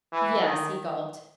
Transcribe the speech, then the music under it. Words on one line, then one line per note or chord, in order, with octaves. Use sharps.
"Yes," he gulped.
E3
D#3